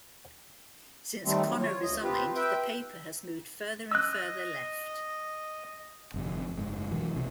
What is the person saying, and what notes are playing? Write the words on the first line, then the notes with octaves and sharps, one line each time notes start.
Since Connor resigned the paper has moved further and further left.
D#3 G3 A3 C4
F#3
F4 C#5
D2 D#5
C4 F4 G4 B4
B4 E5 G5
D#5 E6 F#6
G1 F2 C3
F#1 G#2
B2 E3 F#3
F1 B1 C3